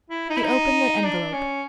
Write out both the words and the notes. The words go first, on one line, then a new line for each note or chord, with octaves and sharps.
He opened the envelope.
E4
D#4
E4
D#4
D4
C#4